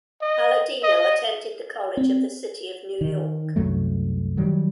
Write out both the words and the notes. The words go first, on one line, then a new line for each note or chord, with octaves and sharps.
Paladino attended the College of the City of New York.
D#5
D#5
C4
D#3
C2 F#2 F#3 A3
D#3 F#3 G3